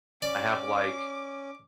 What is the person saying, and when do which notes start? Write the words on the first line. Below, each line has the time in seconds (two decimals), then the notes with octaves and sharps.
I have like,
0.22 C#4 D5 D6